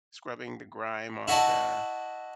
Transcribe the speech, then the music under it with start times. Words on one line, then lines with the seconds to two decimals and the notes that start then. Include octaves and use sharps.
scrubbing the grime off the
1.28 E4 F#4 D5 D#5 A5